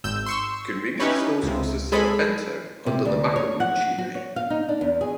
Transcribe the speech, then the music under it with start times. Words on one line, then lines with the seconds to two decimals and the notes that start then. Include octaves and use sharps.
Convenience stores also sell a bento under the Makunouchi name.
0.04 G#1 E6 G6
0.26 C6 C#6 E6
1.00 C#4 D#4 E4 G4 B4 C#5
1.43 C#2 C3
1.92 G#3 G#4 A4 B5
2.86 C3
3.05 D2
3.36 C#5
3.60 F#5
3.98 F#4
4.15 C#5
4.36 F5
4.50 D#4
4.68 D4
4.81 E2
5.01 G#4